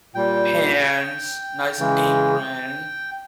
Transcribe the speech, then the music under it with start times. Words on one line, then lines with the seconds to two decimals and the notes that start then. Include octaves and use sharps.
pans, nice apron.
0.15 A#2 G3 G5
1.79 C#3 E3 G#3